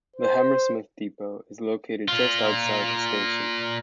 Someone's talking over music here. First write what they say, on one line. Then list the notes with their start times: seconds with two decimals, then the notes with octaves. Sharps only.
The Hammersmith depot is located just outside the station.
0.16 C5
2.08 A#2 F4